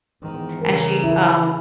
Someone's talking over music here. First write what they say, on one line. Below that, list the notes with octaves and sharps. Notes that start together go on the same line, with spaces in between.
and she, um,
E2 G#2 D#3
C#3 E3 A#4
E4 E5